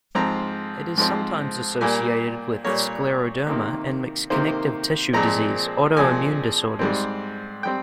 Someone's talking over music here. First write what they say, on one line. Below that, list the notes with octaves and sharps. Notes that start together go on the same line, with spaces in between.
It is sometimes associated with scleroderma and mixed connective tissue disease, auto-immune disorders.
G#2 F3 C4 A#5
G#2 F3 C4
A#2 G3 A#3 G#5
A#2 G3 A#3 C#5
C3 D#3 A#3
C3 D#3 A#3 C5
A#2 F3 G#3 C4 A#5
A#2 F3 G#3 C4 G#5
G#2 G3 C4
G3 C4 G5